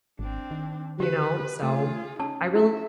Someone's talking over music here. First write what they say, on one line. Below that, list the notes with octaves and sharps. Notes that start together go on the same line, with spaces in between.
you know, so I really
G#1 C4 D4
D#3
D3 G4 B4
A3 F4 G#4
C#4 D#4 A5
E4 E5